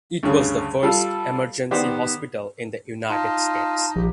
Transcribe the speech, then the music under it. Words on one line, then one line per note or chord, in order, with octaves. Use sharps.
It was the first emergency hospital in the United States.
D2 G2 C#3
G3 F4 A4
D#3 B3 G4 C5 D5
D#4 F4 A5
A#1 G4